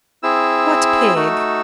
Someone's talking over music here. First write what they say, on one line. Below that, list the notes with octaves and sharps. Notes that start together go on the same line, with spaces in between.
"What pig?"
C4 E4 G#4 E6
A3 D#4 F#4